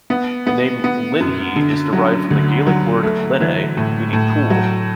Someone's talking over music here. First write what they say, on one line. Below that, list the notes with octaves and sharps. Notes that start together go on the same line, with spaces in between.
The name "Linnhe" is derived from the Gaelic word "linne", meaning "pool".
B3
B3
B3
F#2
D3
F#3
D2
F#3
A3
E3
A2
A2
F#3